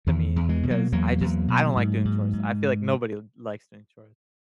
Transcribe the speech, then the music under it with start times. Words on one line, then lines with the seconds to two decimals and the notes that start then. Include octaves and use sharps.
to me because I just I don't like doing chores. I feel like nobody likes doing chores,
0.07 E2 D#3
0.36 E2
0.49 E3 G#3
0.63 B2
0.70 F#3 A#3
0.92 E2 F#3 A#3
1.21 E2
1.48 B2
1.77 G#2
2.05 G#2
2.33 G#2